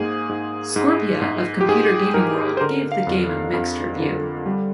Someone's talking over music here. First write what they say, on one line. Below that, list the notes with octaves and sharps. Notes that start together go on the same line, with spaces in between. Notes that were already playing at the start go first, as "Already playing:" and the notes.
Scorpia of "Computer Gaming World" gave the game a mixed review.
Already playing: G#2 A#3 G#4 C5
G#2
G#2
G#2
G4
G#2 G#4
G#2 A#4
C5
D3 A#4
F5
F2
F2 F5
D3
G3